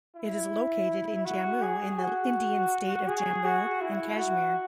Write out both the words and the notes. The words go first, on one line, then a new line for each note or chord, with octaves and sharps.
It is located in Jammu in the Indian state of Jammu and Kashmir.
E4
F#4
G#4
F#4
G#4
F#4
E4
F#4